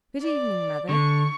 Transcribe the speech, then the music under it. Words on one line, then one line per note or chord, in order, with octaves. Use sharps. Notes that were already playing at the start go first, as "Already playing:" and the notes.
'Good evening, Mother.'
D5
D3 C#6